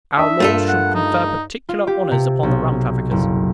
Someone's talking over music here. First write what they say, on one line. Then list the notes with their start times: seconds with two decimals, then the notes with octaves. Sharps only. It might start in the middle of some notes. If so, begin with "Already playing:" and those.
Our laws shall confer particular honors upon the rum traffickers.
0.18 D4 E5 A5 D#6
0.40 G2 A3 A#3 F4 A4
0.69 F#5
0.95 D#4
1.69 F4
1.87 G4
2.11 C3
2.43 B1
3.11 F#1